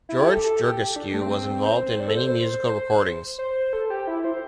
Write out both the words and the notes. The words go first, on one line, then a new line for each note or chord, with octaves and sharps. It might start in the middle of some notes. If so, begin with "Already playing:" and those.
George Georgescu was involved in many musical recordings.
E4
G4
A4
A4
G4
D4
A3
C4
C5
D5
A4
C5
C5
C5
A4
G4
E4
C5